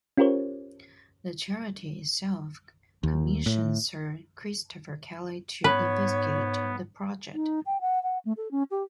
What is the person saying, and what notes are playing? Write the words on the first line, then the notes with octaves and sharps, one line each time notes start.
The charity itself commissioned Sir Christopher Kelly to investigate the project.
C#4 F4 G4 A#4 C5 C#5
D#2
A2
G#2 B3 B4 C#5
D#4
G5
F#5
F#5
A3
A4
C#4
G4